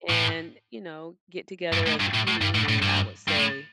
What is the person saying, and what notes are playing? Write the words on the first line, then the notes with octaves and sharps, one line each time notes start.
and, you know, get together as a community, I would say
A2
G2
A2
G2
A2
A2
G2
A2
A2
G2
G2
A2